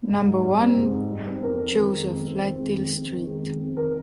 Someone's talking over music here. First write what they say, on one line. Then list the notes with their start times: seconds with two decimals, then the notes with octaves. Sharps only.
Number one, Joseph Latil street.
0.09 G#2
0.26 D#4
0.43 G3
0.59 C4
0.76 G#2
0.93 D#4
1.10 G3
1.27 C4
1.43 F2 A#4
1.59 C4
1.76 D#3
1.94 G#3
2.10 F2
2.27 C4
2.43 D#3
2.60 G#3
2.77 F2
2.94 C4
3.11 D#3
3.27 G#3
3.43 F2
3.60 C4
3.77 D#3 A#4